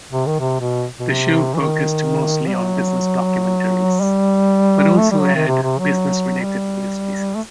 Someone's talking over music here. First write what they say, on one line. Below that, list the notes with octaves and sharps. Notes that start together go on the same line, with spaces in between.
The show focused mostly on business documentaries, but also aired business-related news pieces.
C3
D#3
C3
B2
B2
C3
E3
D#3
G3
F#3
G3
A3
G3
F#3
D#3
C3
C3
F#3
G3
A3